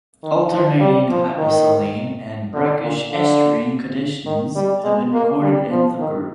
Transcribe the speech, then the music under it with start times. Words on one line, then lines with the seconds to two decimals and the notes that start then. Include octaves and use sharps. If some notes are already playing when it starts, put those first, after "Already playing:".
Alternating hypersaline and brackish estuarine conditions have been recorded in the group.
0.23 D#3
0.52 F3
0.80 G3
1.09 F3
1.38 D#3
2.54 D3
2.82 A#2
3.11 D3
4.26 D#3
4.55 G3
4.84 G#3
5.14 A#3
5.42 G3
5.71 F3
5.99 D#3